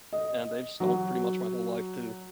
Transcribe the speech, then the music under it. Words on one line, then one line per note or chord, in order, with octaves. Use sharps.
And they've stunk pretty much my whole life too.
D#5
F#3